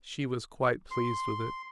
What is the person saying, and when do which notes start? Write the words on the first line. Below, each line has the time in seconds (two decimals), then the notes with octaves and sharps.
She was quite pleased with it.
0.91 C6